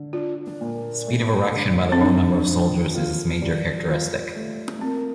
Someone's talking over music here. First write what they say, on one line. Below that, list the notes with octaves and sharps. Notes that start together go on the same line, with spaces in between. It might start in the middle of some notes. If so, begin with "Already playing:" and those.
Speed of erection by the low number of soldiers is its major characteristic.
Already playing: D3
D4 F4
A#2
A3
D3
C4
D4 D#4
F3
F4
G3
F4
A3
A#3 C4